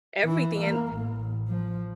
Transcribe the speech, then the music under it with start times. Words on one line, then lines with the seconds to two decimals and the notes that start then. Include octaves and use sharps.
everything, and
0.24 E3
0.61 A#3
0.94 A1
1.48 F3